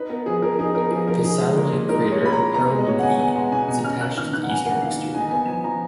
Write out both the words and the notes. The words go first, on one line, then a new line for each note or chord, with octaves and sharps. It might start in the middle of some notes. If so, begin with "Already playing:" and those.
The satellite crater Perel'man E is attached to the eastern exterior.
Already playing: D#4 B4
B3 A#4
F3 G#4
F3 A#4
D#4 G#4
B3 A#4
F3 G#4
F3 A#4
D#4 G#4
G#3
A#2 A#4
A#2
D#4 A#4
G#3
C#5
A#2 B5
A#5
A#2
B3 A#5
G#3
D#5
B2 C#5
F#5
B2 G#5
B3 G#5
G#3 F#5
B2 G#5
B2 G#5
C#4 F6
A#3 F#6
D#3 F6
D#3 F#6
F#5
C#4 G#5
A#3 F#5
D#3 F5
D#3
D#4 G#5
B3 G#5
F3 G#5
F3 A#5